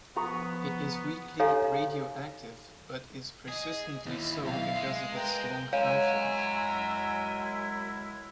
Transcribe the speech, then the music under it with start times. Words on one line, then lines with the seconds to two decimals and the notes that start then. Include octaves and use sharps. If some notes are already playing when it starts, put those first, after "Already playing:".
It is weakly radioactive but is 'persistently' so because of its long half-life.
0.16 F3 B3 A#5 C#6 D#6
1.39 D#4 G4 A4 C#5 F5 A#5
3.48 G#4 D#5
4.06 D#2 E4
4.45 B1 E5 F5
4.75 G#3
5.12 A#4 B4 G5
5.73 F#3 G#3 E4 A#4 C#5 F5 F#5 G#5